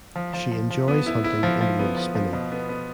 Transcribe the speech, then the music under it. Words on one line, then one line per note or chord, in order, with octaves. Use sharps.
She enjoys hunting and wool spinning.
F3
F3
F3
F3
B3
E4
E4
F3
F3
B3
F3
F3
B2
B3
B3